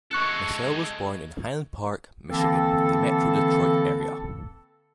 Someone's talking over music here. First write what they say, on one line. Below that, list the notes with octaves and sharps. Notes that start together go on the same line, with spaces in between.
Mitchell was born in Highland Park, Michigan, in the Metro Detroit area.
G#3 A4 C#6 F#6 C#7
D3 E3 A#3 C4 A4